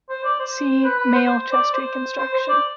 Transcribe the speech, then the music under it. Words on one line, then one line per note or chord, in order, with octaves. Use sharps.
See Male Chest Reconstruction.
C5
D5
C5
B4
B4
C5
C5
D5
C5
C5
C5
D5